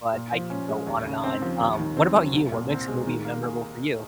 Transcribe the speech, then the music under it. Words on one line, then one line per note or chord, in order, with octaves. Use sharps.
but I could go on and on. Um, what about you? What makes a movie memorable for you?
A#2
F3
C#4
G#3
D#2
C#3
C4
F3
D#2
D#3
C4
F#3
C2
A#2
C4
G#3
D#3
A#3
G#4